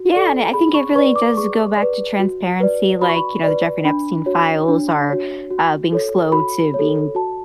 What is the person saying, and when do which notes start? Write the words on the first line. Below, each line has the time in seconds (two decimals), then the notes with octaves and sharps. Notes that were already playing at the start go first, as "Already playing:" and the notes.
Yeah, and I think it really does go back to transparency, like, you know, the Jeffrey Epstein files are, uh, being slow to being
Already playing: F#4
0.13 A4 D5
0.54 G#4 B5
0.74 C#6
0.95 B4 C#6
0.99 D5
1.16 D6
1.37 G#4 C#6
1.78 B4 D5
2.19 F#4
2.60 B4 D5
3.02 F#4 B5
3.09 C#6
3.16 B5
3.43 B4 D5
3.84 D4 B5
4.26 F#4 C#5
4.68 D4
5.09 F#4 C#5
5.51 F#4
5.92 A4 C#5
6.32 F#4 B5
6.74 C#5
6.79 A4
7.15 F#4 A5